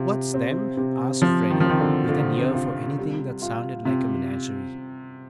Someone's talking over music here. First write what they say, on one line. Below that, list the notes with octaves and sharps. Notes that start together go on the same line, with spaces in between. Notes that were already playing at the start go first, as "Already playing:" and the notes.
"What's them?" asked Freddie, with an ear for anything that sounded like a menagerie.
Already playing: C3 F4
C4
C3
F3 C4
D#3
F3
D#3 C4
D3
D3 F4
C3
C3
F4
G3
F4
C3 F4